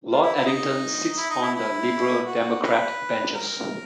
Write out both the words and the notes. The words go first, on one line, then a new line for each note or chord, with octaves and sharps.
Lord Addington sits on the Liberal Democrat benches.
F4
E4
E4
D#4
E4
D#4
E4
E4
F#4
B4
A#4